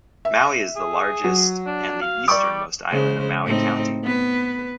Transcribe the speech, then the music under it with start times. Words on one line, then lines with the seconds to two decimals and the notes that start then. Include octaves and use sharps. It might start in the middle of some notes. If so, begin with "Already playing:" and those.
Maui is the largest and the easternmost island of Maui County.
0.25 E5
0.76 G#4
1.24 F#3
1.67 D4
2.02 F5
2.28 G3 D5 C#6 D6
2.91 C#3 G#3 C5
3.44 A2 C4 D#4
4.03 B3 B4